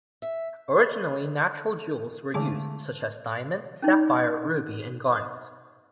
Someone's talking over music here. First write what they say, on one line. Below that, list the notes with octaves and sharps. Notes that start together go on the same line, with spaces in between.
Originally natural jewels were used, such as diamond, sapphire, ruby, and garnet.
E5
D#5 B5
D3 G#3 A3 G#4 A5 D6
C#4 D#4
D#6